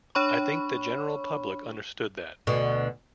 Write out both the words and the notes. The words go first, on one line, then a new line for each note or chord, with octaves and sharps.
I think the general public understood that.
D4 C#5 B5 C#6
D2 B2 D3